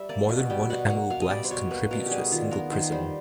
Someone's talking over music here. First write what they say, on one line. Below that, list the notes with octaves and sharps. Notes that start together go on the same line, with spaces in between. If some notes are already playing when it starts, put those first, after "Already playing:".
More than one ameloblast contributes to a single prism.
Already playing: G3 E5
A#3 D5
B2
G3 G5
B2 F#5
A#3 F#5
B2 F5
D#5
G3 D5
C5
B2 C#5
A#3 B4
B2 A#4
G4
G3 G#4
D#3 F4
B3 A#4
D#3 C5
G3 C5